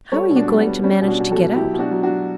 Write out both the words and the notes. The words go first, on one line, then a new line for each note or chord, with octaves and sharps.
"How are you going to manage to get out?"
G3 A4 C#5
B2
D4 F#4
G3
G3 B3
G3 C#4
B2
D4 F#4
B2
F#4 A4
B2
F#3 E4 G4
B2
D4 F#4
F#3
D4 F#4
F#3